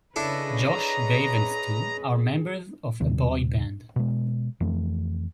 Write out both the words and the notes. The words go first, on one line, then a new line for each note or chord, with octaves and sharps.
Josh, Dave and Stu are members of a boy band.
C#3 D4 E4 A4 B4 C#5 D#5
G#4 A#5
D#2 C3 D#3 G3
B2 G#3
F2 E3 A3